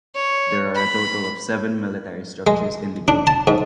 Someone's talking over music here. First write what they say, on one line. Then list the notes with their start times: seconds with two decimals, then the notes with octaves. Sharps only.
There are a total of seven military structures in the game.
0.15 C#5
0.75 B5
2.47 G#3
3.08 D4
3.27 A5
3.47 G#2